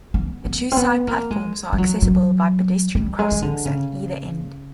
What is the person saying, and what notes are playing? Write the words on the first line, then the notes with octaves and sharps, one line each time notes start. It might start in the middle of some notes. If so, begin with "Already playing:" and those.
The two Side platforms are accessible by pedestrian crossings at either end.
B3
B3
C4
B3
A#3
G#3
G3
F#3
F#3
G3
G#3
D#3
D3
C#3